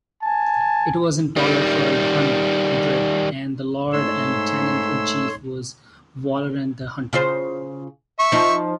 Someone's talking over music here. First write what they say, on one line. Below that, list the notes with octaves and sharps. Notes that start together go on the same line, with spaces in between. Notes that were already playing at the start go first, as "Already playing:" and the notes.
It was in Tollerford Hundred and the lord and tenant-in-chief was Waleran the hunter.
G#5 A5
D#3 G3
G#2 A3 C#5 C6 E6
C#3 F4 C5
E5 C#6
F3 D#4